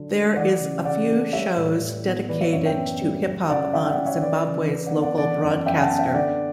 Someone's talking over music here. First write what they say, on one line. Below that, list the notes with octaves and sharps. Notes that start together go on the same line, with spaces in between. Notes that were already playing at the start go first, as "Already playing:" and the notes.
There is a few shows dedicated to Hip-Hop on Zimbabwe's local broadcaster.
Already playing: D3 F#3 D4
A3
E3 D5 F#5
C#3
C#3 D5 F#5
A3
G3 C#5 E5
A2
A2
B3
E3 B4 D5
C#5 E5
F#2 C#5 E5
E5 G5
B3
G3
F#3
C#3 D5 F#5
E4 E5 G5
G5
D5 F#5
C#4
C#5 E5
E3 B4 D5
C#3
C#3 B4 D5
D5 F#5
B3
D5 F#5
E3 D5 F#5
F#2
F#2 E5 G5
F#5 A5
B3
E5 G5
D3 D5 F#5